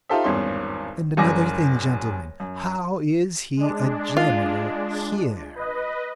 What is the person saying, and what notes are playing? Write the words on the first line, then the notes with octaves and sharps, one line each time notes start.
And another thing, gentlemen, how is he a general here?
D#4 F4 G4 A4 C5 E5
G#1 E2 G2 C#4 C6
F#1 F#2 G3 G#5 D6 A#6
F#2
G#3 D4
F4
B4 D#5